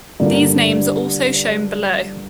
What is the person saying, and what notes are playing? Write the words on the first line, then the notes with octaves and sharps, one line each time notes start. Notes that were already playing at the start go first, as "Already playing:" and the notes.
These names are also shown below.
G2 D3 A#3 D4 F4